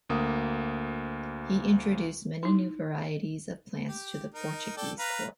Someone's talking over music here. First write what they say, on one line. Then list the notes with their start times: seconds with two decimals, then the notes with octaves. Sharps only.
He introduced many new varieties of plants to the Portuguese Court.
0.09 D2 A#3 D#6
2.43 D#4 E4
3.89 G4
4.35 D#4 A#4
4.77 A4 D5 G5
4.99 B4 F5 A#5